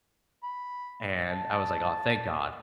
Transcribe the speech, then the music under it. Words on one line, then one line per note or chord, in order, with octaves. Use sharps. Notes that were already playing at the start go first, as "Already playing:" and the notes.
and I was like, "Aw, thank god,"
B5
A5